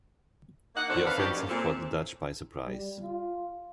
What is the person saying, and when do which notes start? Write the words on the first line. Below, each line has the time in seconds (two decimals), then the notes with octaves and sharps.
The offensive caught the Dutch by surprise.
0.76 A#3 D#4 F#5
0.89 A2 D3 C4 F#4 A4 D5
1.05 D#3 A4 B4 F5
1.18 F3 G3 D4 D#4 F#4 G4
1.36 F#2 A#2
1.48 A#2 C4 A4
2.66 G3
3.02 F4